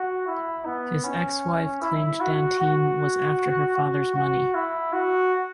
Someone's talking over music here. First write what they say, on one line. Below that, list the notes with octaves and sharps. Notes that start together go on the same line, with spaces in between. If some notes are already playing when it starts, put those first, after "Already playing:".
His ex-wife claimed Dantine was after her father's money.
Already playing: F#4
E4
B3
C#4
E4
F#4
F#4
F#4
F#4
E4
F#4